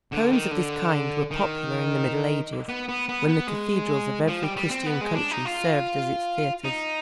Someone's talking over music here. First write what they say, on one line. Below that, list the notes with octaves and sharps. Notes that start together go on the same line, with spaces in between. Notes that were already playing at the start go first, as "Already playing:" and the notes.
Poems of this kind were popular in the Middle Ages when the cathedrals of every Christian country served as its theatres.
D3
D#3
D3
D#3
B3
B3
B3
B3
G#3
F3
G3
G3
C4
B3
G#3
D4
D#4
F4
D#4